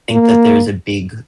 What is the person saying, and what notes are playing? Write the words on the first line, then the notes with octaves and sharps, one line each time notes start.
Think that there's a big
A#3